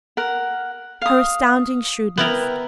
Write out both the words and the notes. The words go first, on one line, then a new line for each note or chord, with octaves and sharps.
Her astounding shrewdness!
A#4 F#5
F5 D#6
B3 E4 A#4 G5